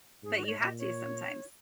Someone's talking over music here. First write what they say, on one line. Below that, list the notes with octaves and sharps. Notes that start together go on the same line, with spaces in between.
but you have to sometimes.
G#2 G#4
F#4
D#5
C#5
A#2 D#5
C#5